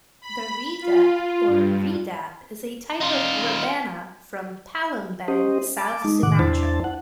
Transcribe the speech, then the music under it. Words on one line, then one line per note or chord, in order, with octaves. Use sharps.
The redep or redap is a type of rebana from Palembang, South Sumatra.
B5
F4
G2
D#4 F4
C#4 G4 C5 D#5
A5 D6
G#3 D#4
A2 C3 D#3 F#5 D6
E2 D4 E4 C5 A5
F#5